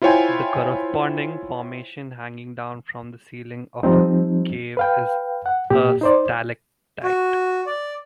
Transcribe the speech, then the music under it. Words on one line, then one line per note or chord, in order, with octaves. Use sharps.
The corresponding formation hanging down from the ceiling of a cave is a stalactite.
E4 F4 C5 C#5 G5 G#5
F3 G3 C4 D#4
B4 F5 G5
F#5
A#2 G4
D#4 C5 D5
F#4
D5